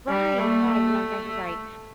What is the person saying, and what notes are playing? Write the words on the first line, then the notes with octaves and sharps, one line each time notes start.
Right, right, no, yeah, you're right,
G3
A3 A#3